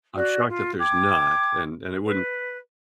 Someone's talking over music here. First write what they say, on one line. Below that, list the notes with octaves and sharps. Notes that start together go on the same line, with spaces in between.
I'm shocked that there's not, and and it wouldn't
F#4 D5
F4
G5 D6 G#6
B4